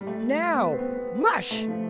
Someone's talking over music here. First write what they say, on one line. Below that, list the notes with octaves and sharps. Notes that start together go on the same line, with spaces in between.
"Now, MUSH!"
G3
A3
B3
C4
B3
A3
F3